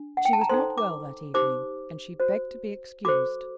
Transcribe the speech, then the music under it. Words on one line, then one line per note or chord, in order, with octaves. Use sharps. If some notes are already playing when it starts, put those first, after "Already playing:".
She was not well that evening, and she begged to be excused.
Already playing: D4
F#5
G5
A5
A#5
D#4 A4 C5 C6
D6
D#4 G4 C5 D6
F#4 C5
F#4 A4 C5 D6